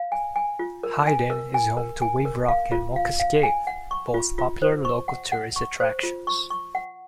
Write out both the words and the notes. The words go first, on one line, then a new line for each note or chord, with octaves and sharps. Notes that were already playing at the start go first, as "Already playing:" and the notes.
Hyden is home to Wave Rock and Mulka's Cave, both popular local tourist attractions.
Already playing: F5
G#5
G#5
F4
A#4
G#5
A#4
G#5
A#4
G#5
A#4
F5
F4
F5
F5
G#5
F#5
C#6
F4
F4
C5
C#6
F#5
F#5
C#6
C5
F4
C#6
C#6
F#5